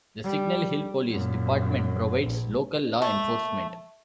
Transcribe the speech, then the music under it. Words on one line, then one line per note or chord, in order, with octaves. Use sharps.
The Signal Hill Police Department provides local law enforcement.
G3
F#2 A#2
A#1
A3